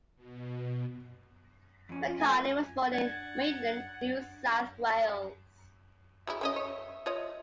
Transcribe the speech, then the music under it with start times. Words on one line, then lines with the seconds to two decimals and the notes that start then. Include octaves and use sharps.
Macartney was born in Maitland, New South Wales.
0.16 B2
1.89 F2 C#4
2.07 F4
2.20 A3 G#5
2.92 D4 F#5 G#6 A6
6.27 F#3 G#3 E4 E5
6.41 C4 C#4 D#5
6.56 C#5
7.06 F4 C#5 D#5